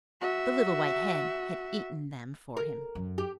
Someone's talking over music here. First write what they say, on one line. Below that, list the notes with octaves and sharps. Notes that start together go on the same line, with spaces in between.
The little white hen had eaten them for him.
F#4 E5
A#4
F#2
G4